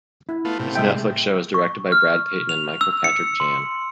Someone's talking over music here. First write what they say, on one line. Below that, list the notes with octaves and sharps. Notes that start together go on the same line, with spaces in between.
This Netflix show was directed by Brad Peyton and Michael Patrick Jann.
E4
A3 B3 F4
A2 C3
G#3 E5 G5
C#6
F6
F7
E6
C#7
C6